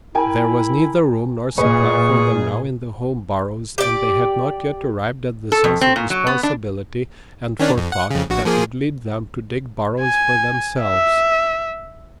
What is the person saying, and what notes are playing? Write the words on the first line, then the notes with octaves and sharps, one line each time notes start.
There was neither room nor supply for them now in the home burrows, and they had not yet arrived at the sense of responsibility and forethought that would lead them to dig burrows for themselves.
E4 A#4 G5 G#5
A#2 G#4 B4 D#5 C#6
G4 D5
A4
F2
C4
A#2
F#3
B3
D4
D#3 C#4 D4
F2
F#5
F2 C#3
A#1 F#4
F3 A#3 G#4
G#5
E5